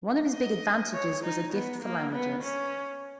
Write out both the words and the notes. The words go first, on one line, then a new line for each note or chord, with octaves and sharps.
One of his big advantages was a gift for languages.
D#5
C#5
D#4
B3
A#3
B3
C#4